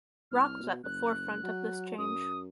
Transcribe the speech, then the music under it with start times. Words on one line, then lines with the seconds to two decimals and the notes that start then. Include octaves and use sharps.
Rock was at the forefront of this change.
0.31 C2 F6
0.63 B2
0.83 F#1 F#6
1.43 F#3
1.98 F#2 D#6